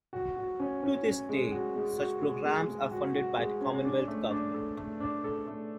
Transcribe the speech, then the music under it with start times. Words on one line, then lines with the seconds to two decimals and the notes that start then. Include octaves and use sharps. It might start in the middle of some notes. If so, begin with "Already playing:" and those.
To this day such programs are funded by the Commonwealth Government.
0.13 F#4
0.36 F#4
0.60 C#4
0.83 C#4
1.06 C#4
1.29 G#3
1.52 F#4
1.76 G#3
1.98 F#4
2.21 G#3
2.45 G#3
2.68 G#3
2.91 F#4
3.15 F#4
3.38 G#3
3.61 C#4
3.84 D4
4.08 A3
4.31 D4
4.54 A4
4.77 A3
5.00 D4
5.24 A4
5.47 A3